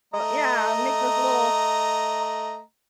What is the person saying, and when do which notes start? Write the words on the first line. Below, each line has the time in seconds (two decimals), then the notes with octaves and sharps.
Yeah, and make those little
0.14 A3 D#5 A#5